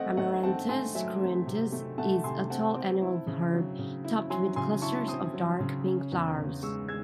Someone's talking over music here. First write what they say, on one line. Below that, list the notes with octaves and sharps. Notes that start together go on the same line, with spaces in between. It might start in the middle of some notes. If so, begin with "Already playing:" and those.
"Amaranthus cruentus" is a tall annual herb topped with clusters of dark pink flowers.
Already playing: A3 C4 D#5 F#5
A3 D#5 F#5
C4 F#5 A5
A3 G#5 C6
F#3 E5 G#5
C4
C3
A3
A3 F#5 A5
C3 G#5 C6
C4 F#5 A5
C4
E4
C#3
F#3
C#3
E4
F#3 G#5 C6
C#3 G#5 C6
E4 A5 C#6
C4 C6 D#6
F#3
C#3
C#4
E2
C#3
G#3 C#6 E6
G#3 E6 G#6